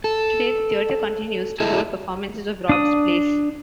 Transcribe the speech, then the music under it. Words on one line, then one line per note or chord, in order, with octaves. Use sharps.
Today, the theatre continues to hold performances of Rob's plays.
A4
E4 G#4 A4 D#5 E5
D4 D#6